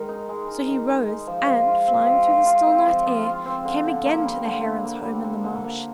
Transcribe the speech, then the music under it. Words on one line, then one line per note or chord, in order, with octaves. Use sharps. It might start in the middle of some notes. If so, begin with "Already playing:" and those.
So he rose, and, flying through the still night air, came again to the Heron's home in the marsh.
Already playing: D#3 G#3 A#4
D#4
G#3
A#4
D#3
D#4
G#3
F3
F3
F4
C4
F3
F3
F4
C4
F3
F3
F4
C4
D3
D3
A#3
G3
D3
D3
A#3
G3
D3
D3
A#3